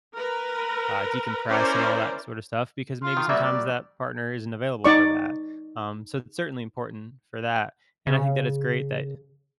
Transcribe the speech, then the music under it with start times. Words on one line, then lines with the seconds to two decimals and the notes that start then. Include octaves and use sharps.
uh, decompress and all that sort of stuff because maybe sometimes that partner isn't available for that. Um, so it's certainly important for that, and I think that it's great that,
0.16 A#4 B4
1.49 C#4 E4 A#4 C5 D5
3.04 C6 F6
3.17 D#3
3.29 F#3 G3 A#3 D5 E5
3.43 D5
4.84 D#4 D5 C#6
8.07 C#3